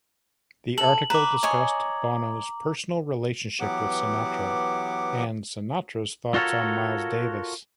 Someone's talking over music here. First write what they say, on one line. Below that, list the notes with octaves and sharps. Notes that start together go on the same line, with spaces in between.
The article discussed Bono's personal relationship with Sinatra, and Sinatra's thoughts on Miles Davis.
A4 F#7
B4 A#5 D6
C#5 D#5 G#5
E3 F#3 B3 G4 F#5 D6
F4 F#4 A4 A#4 C#5